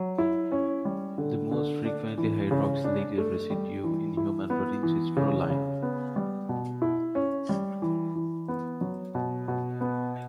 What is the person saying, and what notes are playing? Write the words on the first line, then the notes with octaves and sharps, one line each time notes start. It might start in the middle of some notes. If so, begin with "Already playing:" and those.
The most frequently hydroxylated residue in human proteins is proline.
Already playing: F#3
E4
C#4
G3
D3
D3
D4
E3
C#3
D4
A3
G3
E3
E4
B3
E3
C#3
C#3
B3
G3
B2
E4
C#4
G3
E3
E3
B3
F#3
B2
B2
B3